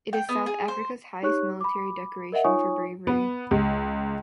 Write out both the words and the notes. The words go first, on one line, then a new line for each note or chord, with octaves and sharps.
It is South Africa's highest military decoration for bravery.
G5
B3
G#4
C5
D#4 G4 C#5 C#6 F#6
B5 D6
A#4 D#5 E5 F#5
D#4 F4 C#5 G#5 C#6 D#6
B3
C#2